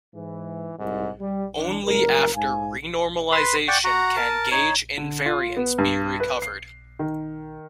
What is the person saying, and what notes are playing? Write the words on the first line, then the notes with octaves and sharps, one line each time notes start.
Only after renormalization can gauge invariance be recovered.
G#2 E3
C2 G#2
G3
E3 D4
F#1 G3 A#4
G#2 F5 G#5
B4 C6
D5 F#5 G5 C#6
F#4 F#5 A#5
A#4 A5
D#4 C#5
D3
F4
B3
G2
B4
C7
D#3